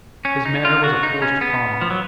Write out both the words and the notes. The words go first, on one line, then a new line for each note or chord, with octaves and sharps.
His manner was a forced calm.
C#4
D#4
F4
F#4
D#4
C#4
B3
F3
F#3